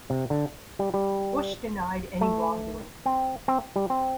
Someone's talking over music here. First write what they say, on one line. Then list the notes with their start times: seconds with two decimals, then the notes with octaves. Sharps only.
Bush denied any wrongdoing.
0.10 C3
0.30 D3
0.79 G3
0.94 G3
2.21 A3
3.06 C4
3.48 C4
3.76 G3
3.90 C4